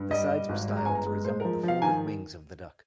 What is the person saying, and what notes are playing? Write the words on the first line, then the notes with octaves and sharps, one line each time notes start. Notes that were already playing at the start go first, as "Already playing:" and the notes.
The sides were styled to resemble the folded wings of the duck.
Already playing: G2
G3 D#5
G3
G#1
G#3
A#5
G1 G#5
A#5
G#3
G#3 C5
F3 A#4
F3 F5
D#3 G#5